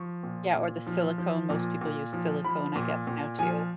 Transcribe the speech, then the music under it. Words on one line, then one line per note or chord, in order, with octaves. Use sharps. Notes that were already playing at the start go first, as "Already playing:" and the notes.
Yeah, or the silicone, most people use silicone, I guess, now too.
Already playing: F3 C#6
A#2
A#2
F3
F3
A#2
A#2
F3
F3 B5
A#2
A#2
F3 G#5